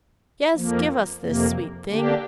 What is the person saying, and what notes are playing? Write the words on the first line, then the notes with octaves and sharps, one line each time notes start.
Yes, give us this; sweet thing!
F2 F3 A#3
F2 C3 A#3
D3 A#3 D4 G4